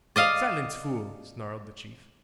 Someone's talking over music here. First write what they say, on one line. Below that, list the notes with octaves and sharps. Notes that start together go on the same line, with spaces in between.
"Silence, fool!" snarled the chief.
D5 D#5 F5